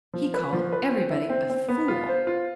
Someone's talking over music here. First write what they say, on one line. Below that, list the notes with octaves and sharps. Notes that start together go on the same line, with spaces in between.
He called everybody a fool.
F3
B4
F3
B4
C4
E4
C4
C4
B3
F4
C5
F4